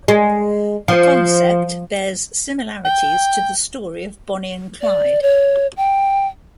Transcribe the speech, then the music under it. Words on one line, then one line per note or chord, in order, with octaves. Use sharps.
The concept bears similarities to the story of Bonnie and Clyde.
G#3
F3
G5
D5
C#5
G5